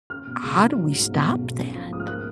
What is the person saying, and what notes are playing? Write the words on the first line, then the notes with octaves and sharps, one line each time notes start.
How do we stop that?
C#4 F6
B2
C#2
D#4
F#3
G#2
B1
B2
B1
C#4
F3
G#2 D#6
F6
A#3 F#6